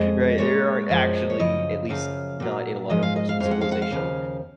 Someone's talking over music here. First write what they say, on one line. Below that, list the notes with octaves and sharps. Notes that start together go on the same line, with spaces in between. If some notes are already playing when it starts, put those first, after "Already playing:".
right? There aren't actually- at least, not in a lot of Western civilization-
Already playing: F2 G#3 D#5
A#2 G#3 C#5
F#2 F3 G#3
C#5
F#2 C#3 F3 D#5
F#2 C#3 F3 F5
A#2 F#3
G#2 F3 G#3 D#5
F5
D#5
F5
F2 F3 G#3 F5
F#5
F5
F#5
F5
D#2 C#3 F3